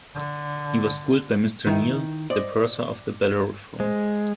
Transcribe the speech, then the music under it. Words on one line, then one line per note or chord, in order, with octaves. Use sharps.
He was schooled by Mr Neale, the purser of the "Bellerophon".
D3
D#3 D#4 E4 G5
C5 D5 D#5
G#3 C5